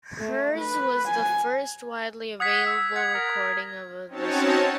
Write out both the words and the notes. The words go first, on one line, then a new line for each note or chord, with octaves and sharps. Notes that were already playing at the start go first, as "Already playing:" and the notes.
Hers was the first widely available recording of the song.
A3
B4
G#5
F#5 D#6 G#6 B6
E6
F#5 G#6
A#4
C4 C#4 D#4 F#4 C#5 A5